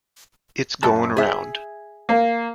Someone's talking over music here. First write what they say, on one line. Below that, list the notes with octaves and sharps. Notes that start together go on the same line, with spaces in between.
It's goin' round.
F#2 A5
G#4 E5
A#3